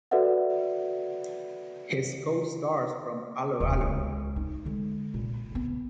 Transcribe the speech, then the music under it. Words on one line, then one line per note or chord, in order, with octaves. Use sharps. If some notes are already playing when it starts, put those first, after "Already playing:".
His co-stars from 'Allo 'Allo!
F#4 A4 B4 D5 E5 F#5
D#1 C2
C#2
D#4
D3 G#3
A#2
C#3 B3